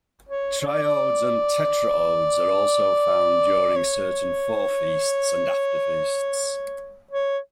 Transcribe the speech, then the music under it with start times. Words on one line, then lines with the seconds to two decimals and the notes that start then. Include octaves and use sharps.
Triodes and tetraodes are also found during certain Forefeasts and Afterfeasts.
0.29 C#5
0.61 C#5
0.67 D5
3.76 C#5
7.11 C#5